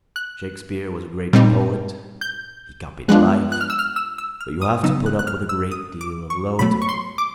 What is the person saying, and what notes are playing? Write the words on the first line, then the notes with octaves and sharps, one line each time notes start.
"Shakespeare was a great poet; he copied life, but you have to put up with a great deal of low talk."
F#6
A#2 G3 C4 D#4
G6
F3 G#3 B3 D4 F4 F#6
F#6
F6
E6
F6
E6
E6
F6
D#6
C#3 F#3 B3 D#4 E6
F#6
F#6
F6
E6
D#6
D6
C#6
B2 F#3 A3 B5
C#6
C6
D6